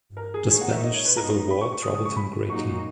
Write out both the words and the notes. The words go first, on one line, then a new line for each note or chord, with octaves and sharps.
The Spanish Civil War troubled him greatly.
A#4
G#4
D#3 A#3 D#4 G#4 A#4 C#5
F#5
E5
D#5
C#5
B4
G#2 F#3 B3 D#4 A#5
B5
C#6
C#6
C#3 F#3 C#4 D#6
D#6
C#6
B5
A#2 F#3 A#3 D#4 F#4 C#6